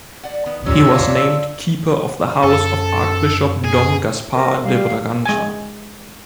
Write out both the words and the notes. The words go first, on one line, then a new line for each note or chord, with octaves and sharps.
He was named keeper of the house of Archbishop Dom Gaspar de Bragança.
D5 F#5
D#3 B3
A#2 G3 C#4 C#5 E6
D4 F5
F#2 A4
F#2 G#4
A#4 C5
G3 F5
G#3 G#5